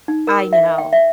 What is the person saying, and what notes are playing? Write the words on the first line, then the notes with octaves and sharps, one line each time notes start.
I know.
D#4
A#4
E5
G5
E5